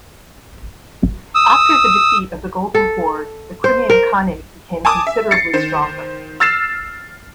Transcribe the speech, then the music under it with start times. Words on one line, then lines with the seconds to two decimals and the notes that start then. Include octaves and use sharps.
After the defeat of the Golden Horde, the Crimean Khanate became considerably stronger.
1.35 D#6 E6
2.75 A4
3.64 C5
3.90 A#4
4.85 G#5 A5 D6 D#6
5.07 E5
5.31 A6 C7 C#7
5.53 D#3 C5
6.40 E6 F6 A6 C7 E7